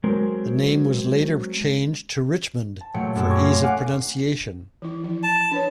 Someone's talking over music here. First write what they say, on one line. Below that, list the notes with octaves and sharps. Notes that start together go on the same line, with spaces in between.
The name was later changed to Richmond for ease of pronunciation.
F#3 G#3 C4 A#4
A5
A#2 F#3 A3 G5 C#7
F#2 A4
C#6 D6 G#6 A#6
F4
F5 F#5 G#5 D6 F#6
E3 E4
F3 E4
A5
D4 B4 C#5